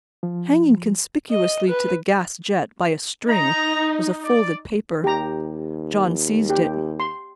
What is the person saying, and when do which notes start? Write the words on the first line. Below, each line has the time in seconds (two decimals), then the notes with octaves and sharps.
Hanging conspicuously to the gas jet by a string was a folded paper. John seized it.
0.23 F3
1.30 D#5
1.68 B4
3.28 D#4 A#5
4.23 D5
5.04 D#2 G4 A#5
6.50 G4
7.00 C6